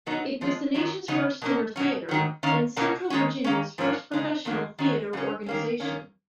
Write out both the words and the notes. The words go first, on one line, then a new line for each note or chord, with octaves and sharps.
It was the nation's first dinner theater and central Virginia's first professional theatre organization.
B2 F#3 B3 D#4
F2 F3 G#3
F#2 D#3 F#3
C#3 F#3 B3 D#4
B2 A#3 C#4
B2 F#3 C#4
G#2 D#3 F#3
D#3 A#3 C#4
B2 A#3 C#4
D#3 G#3 C#4
D#3 A#3 C#4
G#2 F3 A#3 C#4
C#3 G#3 D#4
F2 D#3 F#3 A#3
D#3 F#3 C#4
F#2 C#3 F#3 C#4
D#3 A#3 C#4
F#2 D#3 A#3 C#4